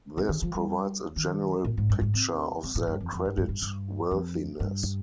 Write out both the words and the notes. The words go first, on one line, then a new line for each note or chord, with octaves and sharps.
This provides a general picture of their credit worthiness.
C3
D#3
F3
G3
D#3
A#2
G#2
G2
G#2
C3
C3
A#2
G2
F2
F2
G2
G2
G2
G2
F2
G2